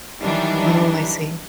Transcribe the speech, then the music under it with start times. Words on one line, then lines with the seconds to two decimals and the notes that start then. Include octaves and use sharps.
Oh, I see.
0.23 D#3 E3 F#3 G3 D4 D#4